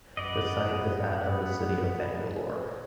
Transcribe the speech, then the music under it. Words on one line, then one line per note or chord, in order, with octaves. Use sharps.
The site is at of the city of Bangalore.
F#2 B3 D5 D#5